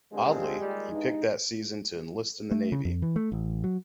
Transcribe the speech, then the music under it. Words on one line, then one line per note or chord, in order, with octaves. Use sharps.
Oddly, he picked that season to enlist in the Navy.
D3 F3 G#3 C4 G4
A#2 D#3 G3
E2 G2 D#4
A3
C#3
F2
E3
A3
A1
F#3